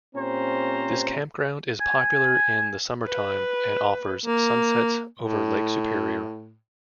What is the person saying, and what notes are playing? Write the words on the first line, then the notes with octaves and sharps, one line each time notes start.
This campground is popular in the summertime, and offers sunsets over Lake Superior.
A#2 C4 C#4 G4 C5 A#5
G#5
B4
A#3
A2